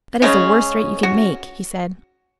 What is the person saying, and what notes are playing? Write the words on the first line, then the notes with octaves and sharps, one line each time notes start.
"That is the worst threat you could make," he said.
C#3 G#3 C#4 G#4
F#4